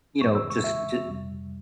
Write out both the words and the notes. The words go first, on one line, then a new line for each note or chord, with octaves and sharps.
you know, just ju
E2 E3 G#3 C#6
E6
C#6
E5
F2 C3 G3